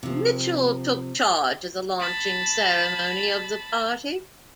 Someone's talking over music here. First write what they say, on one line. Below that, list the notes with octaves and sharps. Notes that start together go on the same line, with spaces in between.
Mitchell took charge of the launching ceremony of the party.
C3 F3
A5 B5